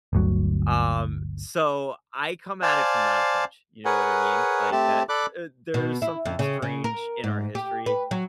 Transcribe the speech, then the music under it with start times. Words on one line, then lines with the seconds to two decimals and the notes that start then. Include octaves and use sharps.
um, so I come at it from that approach, you know what I mean? Like, that th there's something strange in our history,
0.13 G1 D2 F#3
2.63 C5 D5 F5 G#5 A5
3.85 G#4 A#4 B4 C#5 F#5 G#5
4.72 A3 C4 G4 A5
5.09 A4 D5 B5 D6 F#6
5.74 B2
6.02 E4
6.25 F2
6.39 C#3
6.62 C#3
6.84 A#4
7.24 G#2
7.55 G4
7.86 B4
8.11 F#3